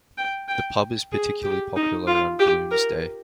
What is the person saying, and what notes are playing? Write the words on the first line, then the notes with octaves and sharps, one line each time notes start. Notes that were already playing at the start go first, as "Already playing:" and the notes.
The pub is particularly popular on Bloomsday.
G5
G5
G#4
G4
D#4
F4
G4
A#4